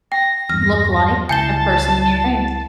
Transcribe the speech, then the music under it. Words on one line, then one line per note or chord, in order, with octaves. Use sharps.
look like the person they raised.
G5 A#6
E2 G2 F6
C#2 E4 G#5 A5 G6 C7 G7